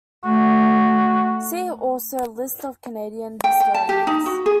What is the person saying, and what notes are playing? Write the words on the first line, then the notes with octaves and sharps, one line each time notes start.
See also "List of Canadian historians".
A3 F#4
G5
G5
A5
G4
D#4
F#4
G#4